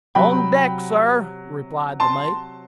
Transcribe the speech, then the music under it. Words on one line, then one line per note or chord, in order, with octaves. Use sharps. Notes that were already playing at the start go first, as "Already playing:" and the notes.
"On deck, sir," replied the mate.
C3 F#3 G5 B5
A5 C6